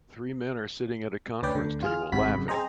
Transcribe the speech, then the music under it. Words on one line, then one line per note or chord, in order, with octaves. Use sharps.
Three men are sitting at a conference table laughing.
D2 C#4 B4 D5 G5
D2 D3
F4 G#4 F6
G#1 G#2 C3 F#4 B5 B6
F#2 C#3
C4 G#4 C5 D#5 A#5